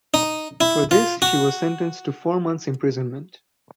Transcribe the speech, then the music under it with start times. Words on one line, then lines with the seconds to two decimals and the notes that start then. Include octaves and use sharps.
For this she was sentenced to four months imprisonment.
0.14 D#4
0.61 E4
0.91 F4
1.22 F#4